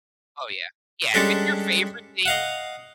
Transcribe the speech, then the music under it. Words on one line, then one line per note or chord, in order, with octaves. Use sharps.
Oh, yeah. Yeah. If it's your favorite thing
G3 G#3 C#4 D4 A4
D#5 F5 F#5